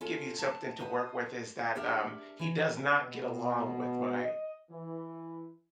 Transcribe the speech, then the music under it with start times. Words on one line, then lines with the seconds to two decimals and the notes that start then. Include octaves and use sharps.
give you something to work with is that, um, he does not get along with my
0.01 C#4 F4 A4
0.39 A5
0.79 B4 C5 D#5
1.75 D4 G4 A#4 D5 E5
2.39 E3 C#5
3.00 B2
4.23 D#5
4.71 E3